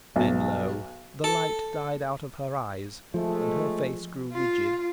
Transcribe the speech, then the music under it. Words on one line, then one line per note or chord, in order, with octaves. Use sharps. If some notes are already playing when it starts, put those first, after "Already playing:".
Then lo! the light died out of her eyes, and her face grew rigid.
B1
A4
F3 G#3 A3
F4